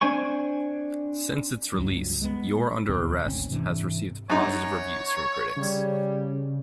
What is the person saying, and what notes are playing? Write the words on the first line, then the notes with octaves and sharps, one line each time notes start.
Since its release, "You're Under Arrest" has received positive reviews from critics.
C4 D4 C5 G#5 C#6
C#2 G2 F#3
G#3 B3
D1 D#2 B2 C4
G#1 D2 C4 C#4
G#2 C3 E3 D4
F#2 D#4 C#5
C#3 G3